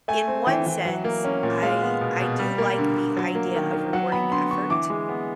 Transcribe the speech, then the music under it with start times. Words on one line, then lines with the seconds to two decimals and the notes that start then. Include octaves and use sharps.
In one sense, I I do like the idea of rewarding effort,
0.08 A3 G#5
0.28 C4
0.47 E3 G5
0.66 E3
0.85 F#3 F#5
1.04 A#3
1.25 C#4
1.43 A#2
1.63 G#3 F5
1.82 B3
2.01 B2
2.21 B2
2.39 G3
2.58 A#3
2.78 D3
2.97 D3
3.17 F#3
3.35 A#3
3.55 D#3
3.73 D#3
3.93 F#3 F#5
4.12 B3 B5
4.31 D3 C6
4.51 D3 C#6
4.70 E3 D6
4.90 G#3
5.09 B3